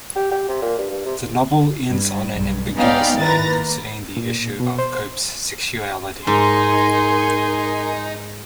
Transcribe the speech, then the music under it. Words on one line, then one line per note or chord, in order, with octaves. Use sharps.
The novel ends on an ambiguous note concerning the issue of Cope's sexuality.
G4
G4
C3
A#2
G2
G2
C3
G2
B1 G2
B3 C#4 D#4 D5 F5 G5
D#3 E4 B4 A#5 A6 A#6
A#3
A#2
B2
C5
G#2 D#4 A#4 G#5 C6